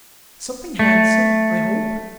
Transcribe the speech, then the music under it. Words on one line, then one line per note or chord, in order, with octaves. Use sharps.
"Something handsome, I hope?"
A3